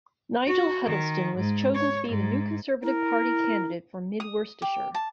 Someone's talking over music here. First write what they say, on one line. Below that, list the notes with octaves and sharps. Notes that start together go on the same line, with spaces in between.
Nigel Huddleston was chosen to be the new Conservative Party candidate for Mid Worcestershire.
F#4
D#3
G#2
C#5
G#2
E4 A#4
D#6
G4
A5